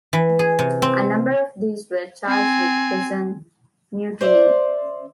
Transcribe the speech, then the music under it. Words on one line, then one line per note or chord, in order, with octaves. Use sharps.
A number of these were charged with 'Prison Mutiny'.
E3
G#4
C3
C4
C4 G#5
C5 D5 E5